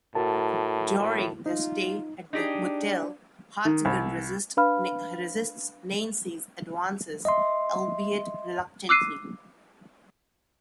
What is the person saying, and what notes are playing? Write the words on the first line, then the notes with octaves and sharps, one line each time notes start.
During their stay at the motel, Hartigan resists Nancy's advances, albeit reluctantly.
A2 F#4 A#4 A5
A2
D#4 F4
D4 D#4 G4 G#4
D#3
C2
D4 B4 F5 B5 F6
D#5 E5 C6
D6 E6 F#6 C7 D#7